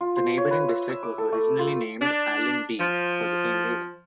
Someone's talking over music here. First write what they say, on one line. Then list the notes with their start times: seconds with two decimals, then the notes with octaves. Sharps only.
The neighbouring district was originally named Alyn-Dee for the same reason.
0.01 F4
0.17 C5
0.38 C#5
0.51 B4
0.68 E5
0.89 E6
1.03 D6
1.18 A4
1.32 A3
1.59 F4
2.01 D4
2.80 F3